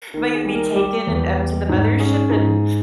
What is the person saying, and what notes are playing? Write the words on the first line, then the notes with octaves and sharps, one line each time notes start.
am I gonna be taken and up to the mothership?" And
D#3 A#4
G#4
G3
A#4
G3 G4
E2
G3
G#2
C#4 G#4
G#2